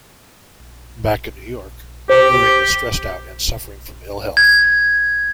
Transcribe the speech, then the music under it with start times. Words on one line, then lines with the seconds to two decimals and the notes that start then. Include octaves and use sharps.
Back in New York, Irving is stressed out and suffering from ill health.
2.10 G4 C5
4.37 G#6